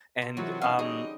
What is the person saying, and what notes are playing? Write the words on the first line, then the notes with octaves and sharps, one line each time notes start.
and, um,
C3
C3 D#3 E3 F#3 F4
C#4 D#4 F5
D3 G3 F#4 G#4 D#5